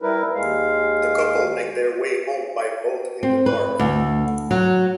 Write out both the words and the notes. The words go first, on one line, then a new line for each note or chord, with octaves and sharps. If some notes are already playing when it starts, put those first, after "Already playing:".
The couple make their way home by boat in the dark.
G3 E4 A#4 B4
D#2 G#3 F5
C4
B4
D2
F#3